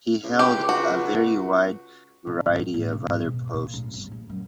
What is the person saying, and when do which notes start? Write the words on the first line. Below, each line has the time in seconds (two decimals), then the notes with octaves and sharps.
He held a very wide variety of other posts.
0.24 C#2
0.39 G4
0.69 F#4
2.27 D3
2.46 G#1
2.61 F#2
2.74 A1
2.92 C3
3.08 G#2
3.25 B2
3.54 A#2
3.74 D1
3.94 G1
4.12 A#1
4.29 F#2